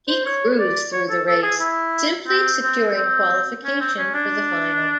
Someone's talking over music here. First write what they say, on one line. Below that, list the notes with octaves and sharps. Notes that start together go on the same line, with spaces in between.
He cruised through the race, simply securing qualification for the final.
C5
C#5
D5
C#5
A4
A4
G#4
E4
C4
C4
C4
C#4
C4
C#4
D4